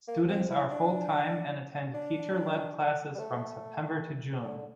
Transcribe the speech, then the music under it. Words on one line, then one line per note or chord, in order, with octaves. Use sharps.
Students are full-time and attend teacher-led classes from September to June.
A#3
C4
E4
D4
D4
G3
A3
D3
D3